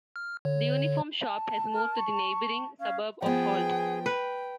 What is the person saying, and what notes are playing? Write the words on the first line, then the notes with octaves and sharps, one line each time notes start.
The Uniform Shop has moved to the neighbouring suburb of Holt.
F6
D3 C#5
A5
A#4
C#6
C#4 F5
F3 B3 G#4 G5
B4 G5